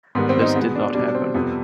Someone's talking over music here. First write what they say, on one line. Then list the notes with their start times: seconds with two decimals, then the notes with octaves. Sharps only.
This did not happen.
0.15 G#2 D#3 G3 B3
0.29 C4
0.42 D#4
0.56 B2 G#3 B3
0.75 D4
0.94 B2 G3 D4
1.14 C4
1.34 F2 C3 G3 B3